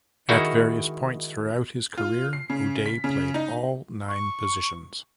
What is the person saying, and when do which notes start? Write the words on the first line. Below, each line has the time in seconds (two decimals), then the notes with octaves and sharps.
At various points throughout his career, O'Day played all nine positions.
0.29 D#3 G#3 D#4 E4 F#4
1.98 F4
2.33 C7
2.50 C#3
2.86 B6
3.04 C#3
3.34 D#4
4.08 C#6